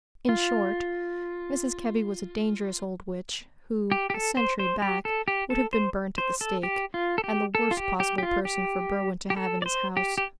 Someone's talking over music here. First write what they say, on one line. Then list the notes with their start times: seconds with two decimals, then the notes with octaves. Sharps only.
In short, Mrs. Kebby was a dangerous old witch, who, a century back, would have been burnt at the stake; and the worst possible person for Berwin to have in his house.
0.29 F4
3.92 G4
4.10 G4
4.14 A4
4.37 C5
4.59 C5
4.82 G4
5.05 A4
5.28 G4
5.50 A4
5.73 C5
6.18 C5
6.41 A4
6.63 G4
6.94 F4
7.18 A4
7.24 G4
7.55 A4
7.71 F4
7.77 G4
8.00 G4
8.18 G4
8.23 F4
8.45 G4
9.30 G4
9.36 A4
9.62 D5
9.66 C5
9.97 G4
10.18 G4